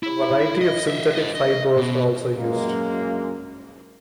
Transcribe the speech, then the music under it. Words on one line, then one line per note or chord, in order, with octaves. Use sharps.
A variety of synthetic fibres are also used.
E4
D#5
D#5 E5
C5 D#5
D#5
B2
F#2 G#3 A#3